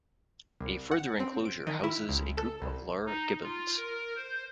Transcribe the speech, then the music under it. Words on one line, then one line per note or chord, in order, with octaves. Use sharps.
A further enclosure houses a group of lar gibbons.
C2
F#5
C4
D7
D#3
E4
C#2
A4
C2
D#4
F4
A#4
C5